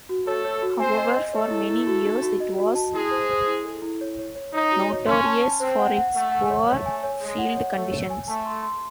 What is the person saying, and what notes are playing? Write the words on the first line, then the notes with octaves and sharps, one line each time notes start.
However, for many years it was notorious for its poor field conditions.
F#4
A3 A4 C#5
C#5
F#4
C4 C5 G#5
D#5
D#5
A3 A4 C#5
E4
E4
F#4
D#4
F#4
D#5
F#4
A5
G#3 E4 G#4
C5
C5
E4
A4
E4
C#5
C#5
C#5
D#4 C#5
F#4
C#5
C#4 C6
A5
A5
C4 C5
F#5
F#5
A3 F#5
F#5
C#5
A3 C#5
G#5
C#5
G#3 C#5
F#5
C#5
A3 C#5
C#5
G#5
A3 A5
C6
C6